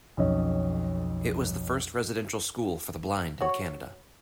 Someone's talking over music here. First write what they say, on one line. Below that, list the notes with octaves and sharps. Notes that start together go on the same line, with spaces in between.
It was the first residential school for the blind in Canada.
B1 F2 C#4 D#5
F#4 C#5